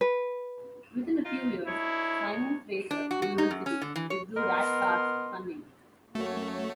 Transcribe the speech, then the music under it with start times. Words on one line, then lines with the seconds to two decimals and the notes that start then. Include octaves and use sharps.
Within a few years, Simon Fraser University withdrew Rat Park's funding.
0.01 B4
1.25 D#4 F4
1.67 D2 D#4 E4 C#5
2.91 D4
3.11 F#4
3.22 F#4
3.38 D#4
3.51 F#2
3.66 C#4
3.82 D3
3.96 E3
4.10 C#5
4.37 B3 A#4 D#5 C6
6.15 F#2 A3 A#3 F#4 C#5